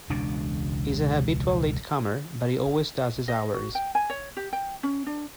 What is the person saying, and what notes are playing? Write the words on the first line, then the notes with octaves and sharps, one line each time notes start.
He's a habitual latecomer, but he always does his hours.
E1 C#2 B2 D4
D#5
F#4
G5
G#5
C#5
G4
G5
C#4
D4